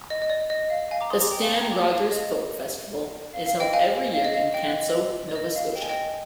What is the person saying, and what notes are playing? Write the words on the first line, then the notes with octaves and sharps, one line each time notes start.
The Stan Rogers Folk Festival is held every year in Canso, Nova Scotia.
D#5
D#5
D5
D#5
F5
F5 G#5
A#5 D6
C6 D#6
A#5 D6
G5 A#5
F5 G#5
F5 G#5
G5 A#5
A#5 D6
F5
D#5
F5
F5
D#5 G5
F5 G#5
F5
D#5
F5
D#5 G5
F5
D#5
D5
D#5
F5
G5
G#5
D#5 G5